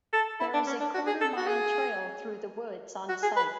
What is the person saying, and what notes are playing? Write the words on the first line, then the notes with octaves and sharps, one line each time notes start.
There is a quarter-mile trail through the woods on site.
A4
E4
D4
C#4
D4
F#4
G#4
A4
F#4
G#4
F#4
G#4
B4